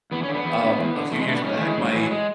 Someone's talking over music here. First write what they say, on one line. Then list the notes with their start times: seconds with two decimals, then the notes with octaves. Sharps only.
um, a few years back, my,
0.11 E2 B3
0.23 C#4
0.28 D3
0.34 B3
0.45 E2
0.62 D3
0.78 E2
0.95 D3
1.11 E2 A3
1.20 G#3
1.28 D3 A3
1.37 B3
1.44 G#2 C#4
1.56 A3
1.61 E3
1.66 G#3
1.78 G#2 F#3
1.94 E3
2.11 G#3